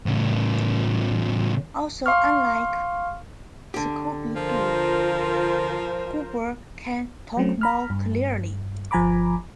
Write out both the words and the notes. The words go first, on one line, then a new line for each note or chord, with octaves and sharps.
Also unlike Scooby-Doo, Goober can talk more clearly.
A2 C#3
F5 C6 C#6 F6
D3 G4
F3 F4 A#4 C5
F#3 A3 C4 C#4
A#5 B5 F6
G2
G1 F3 G#5 A#5 B5 D6